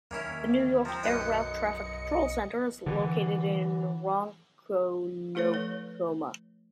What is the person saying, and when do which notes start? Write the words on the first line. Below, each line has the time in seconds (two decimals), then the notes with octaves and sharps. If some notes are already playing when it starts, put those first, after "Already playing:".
The New York Air Route Traffic Control Center is located in Ronkonkoma.
0.11 D#2 A#3 C#4 E4
0.85 F3 C4 A#5 A#6
1.03 B1 F#2 B4 D#5 G5 C#7
2.86 D3 E3
5.35 A3 E4 A4 B4 C#5
5.54 F3 B4